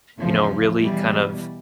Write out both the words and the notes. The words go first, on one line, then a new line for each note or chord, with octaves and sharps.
you know, really kind of,
E2 C#3 F3
B2 E3 G3